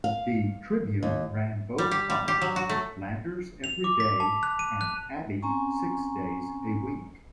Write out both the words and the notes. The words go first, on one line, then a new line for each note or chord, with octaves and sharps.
The "Tribune" ran both columns, Landers every day and Abby six days a week.
F5
D#2
G3
G4
G3
G4
F#3
F#4
A3
F7
D6
B6
A5
F#6
D#7
F#6
C4 C#4 G#5 A#5 C#6